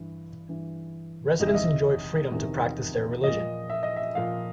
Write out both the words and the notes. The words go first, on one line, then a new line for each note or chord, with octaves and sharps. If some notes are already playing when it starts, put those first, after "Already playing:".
Residents enjoyed freedom to practice their religion.
Already playing: G2 E3
G2 E3
E2 C3 D#3 D#5
E5
D#5
E2 C3 D#3
A#2 F3 D#5
E5
D#5
E5
A#2 F3 F5